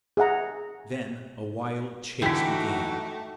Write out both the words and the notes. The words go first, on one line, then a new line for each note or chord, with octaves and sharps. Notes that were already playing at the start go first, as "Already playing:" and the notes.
Then a wild chase began.
G#4 E5 F#5 A#5
D3 E3 A3 D#4 F#4 G5 B6